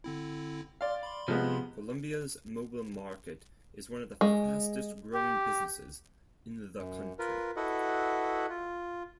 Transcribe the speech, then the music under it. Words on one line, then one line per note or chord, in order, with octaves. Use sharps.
Colombia's mobile market is one of the fastest-growing businesses in the country.
D3 C4 E4
D5 F5 C6 F6
B5 C6
C3 F3 G#3 B3
G#3
G4
F#2
F4 A#4 B4
E4 F#4 A4 B4 D#5 F#5
F4